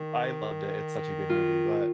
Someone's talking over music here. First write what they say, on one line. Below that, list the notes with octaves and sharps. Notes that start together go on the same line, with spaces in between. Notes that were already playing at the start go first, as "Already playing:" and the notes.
I loved it, it's such a good movie, but
Already playing: D#3 D#4
F4